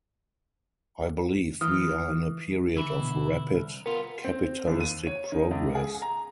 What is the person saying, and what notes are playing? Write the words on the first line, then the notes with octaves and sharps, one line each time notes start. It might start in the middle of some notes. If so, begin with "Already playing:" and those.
I believe we are in a period of rapid capitalistic progress.
E3 D#6 F6
D3 E3 E4
B2 D3
C2
B3 F4 A#4
C4
D#2
D#7
C#5
D#3
C#2
G#4
A#5